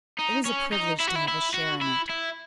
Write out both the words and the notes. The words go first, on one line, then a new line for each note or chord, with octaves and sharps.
It is a privilege to have a share in it.
D#4
C#4
D#4
E4
F#4
E4
E4
F#4
E4
E4